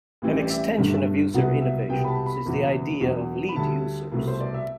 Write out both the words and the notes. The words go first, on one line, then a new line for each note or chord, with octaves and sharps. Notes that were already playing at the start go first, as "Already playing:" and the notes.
An extension of user innovations is the idea of lead users.
A1 A2 E3 G3 C4
D5
E5
G1 G2 D3 A3
C2 B2 F#3 B3 F#5
E5
C2 B2 G3 B3 G5
B5
A5
B5
F#1 E2 B2
E1 E2 B2 F#3
B5
D2 D3 G3 A5
C2 B2 A3
C5
D5
E5